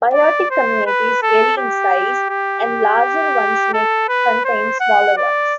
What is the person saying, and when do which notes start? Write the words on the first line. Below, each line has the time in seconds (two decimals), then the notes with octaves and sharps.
Biotic communities vary in size, and larger ones may contain smaller ones.
0.14 D5
0.51 C5
0.86 B4
1.22 A4
1.57 G4
2.30 G4
3.73 A4
4.08 B4
4.45 C5
4.80 F#5
5.17 D5